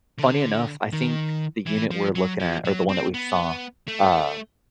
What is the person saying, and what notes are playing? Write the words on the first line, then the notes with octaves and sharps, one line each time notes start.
funny enough, I think the unit we're looking at or the one that we've saw, um,
D3
D#3
E3
F3
F#3
F3
F#3
C4
B3
A3